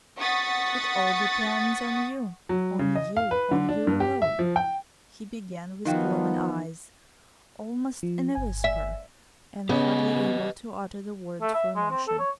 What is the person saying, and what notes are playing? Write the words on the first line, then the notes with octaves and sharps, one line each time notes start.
"It all depends on you, on you, on you alone," he began with glowing eyes, almost in a whisper and hardly able to utter the words for emotion.
F#5 C#6 D#6 A6 B6
F#3
C#3
D#5
F5
B4
D3
D4
G2
G4
E5
F3
G5
D#3 F3 B3 D#4 F#4 F5 G5
F3
G1 G#5
E5
C#3 B3 G4 B4 D#5
A3
E5
G#3
C4
A4
C#5